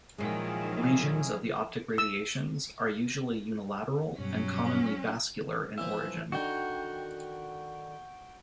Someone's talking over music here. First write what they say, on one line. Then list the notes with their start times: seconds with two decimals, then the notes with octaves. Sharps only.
Lesions of the optic radiations are usually unilateral and commonly vascular in origin.
0.18 A#2 D#3 F3 F#3 G#3 C#4 E4 G#4
1.98 E6
4.19 G2 B2 F#3 G3 C#4
5.78 E3 F3 E5
6.32 D3 D#3 F#4 G5